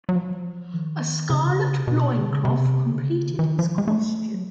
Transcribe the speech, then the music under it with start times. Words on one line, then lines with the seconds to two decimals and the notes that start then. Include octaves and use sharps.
A scarlet loincloth completed his costume.
0.09 F#3
0.16 F3
0.73 D#3
1.30 C#3
1.78 C3
1.87 B2
2.19 D3
2.32 C#3
2.45 C3
2.91 D3
3.02 C#3
3.30 D#3
3.39 E3
3.44 D#3
3.59 F3
3.78 G#3
3.88 A3
4.34 F#3